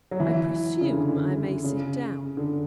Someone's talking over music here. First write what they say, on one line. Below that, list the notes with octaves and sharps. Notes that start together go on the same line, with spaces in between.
"I presume I may sit down?"
F#3
E3
C#3
D3
C#3
D3